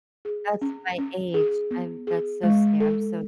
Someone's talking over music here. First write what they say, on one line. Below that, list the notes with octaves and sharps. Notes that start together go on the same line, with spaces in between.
That's my age, I'm that's so scary, I'm so
G#4
C#4
C#4
G#4
B3
G#4
G#3
A4